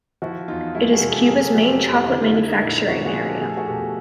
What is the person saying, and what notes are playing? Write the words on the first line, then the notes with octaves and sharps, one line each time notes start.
It is Cuba's main chocolate manufacturing area.
F3 E4 F#4
E2 D#4 F4
G#3 E4 F#4
A4
F#4 G#4
C3
G4 A4
F#3 G#4 A#4
G4 A4
F2 F#4 G#4
G4 A4
F2
E4 F#4
D3 E4
D#4 F4
A#3 E4
D#4
A#2 E4
A#2 E4 F#4
F#4 G#4
F3
G4 A4
A3 G#4
A4
F#4 G#4
B2 G4 A4